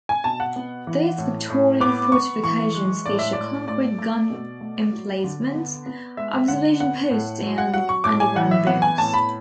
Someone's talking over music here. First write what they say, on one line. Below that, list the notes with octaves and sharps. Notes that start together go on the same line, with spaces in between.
These Victorian fortifications feature concrete gun emplacements, observation posts and underground rooms.
G#5
B2 A5
F#5
B3
E3
A2
A2
B3 D6
B3 C#6
E3 C#6
G#3
A2 D5
E5
A2 D5
A3 D5
A3
B2
A3
F#3
D3
B3
B3
G#3 E5
D3 F#5
B3 F#5
A2
F#3
F#5
F#3 F#5
C#6
A2 D6
G#5
E3 F#5
E5
B3 F#5
G#5
A2 A5
B5